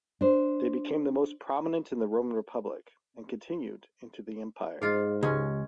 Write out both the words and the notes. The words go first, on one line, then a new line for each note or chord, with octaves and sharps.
They became most prominent in the Roman Republic, and continued into the Empire.
D4 C5
G#2 F4 G#4 C5 D#5 F5
C#2 G#3 C#4 G4